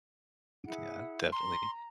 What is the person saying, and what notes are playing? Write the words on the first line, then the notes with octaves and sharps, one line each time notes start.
Yeah, definitely.
E4 G#4 F#5
A#5 C6